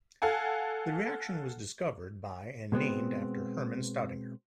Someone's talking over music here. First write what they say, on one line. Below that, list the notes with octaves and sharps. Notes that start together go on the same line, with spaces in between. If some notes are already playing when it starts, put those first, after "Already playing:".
The reaction was discovered by and named after Hermann Staudinger.
A4 F5 F#5 G#5
B2 G#3 B3 C4